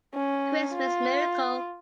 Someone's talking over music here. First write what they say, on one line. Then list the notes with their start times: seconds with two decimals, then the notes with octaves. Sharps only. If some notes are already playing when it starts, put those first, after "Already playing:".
Christmas miracle.
0.15 C#4
0.75 F4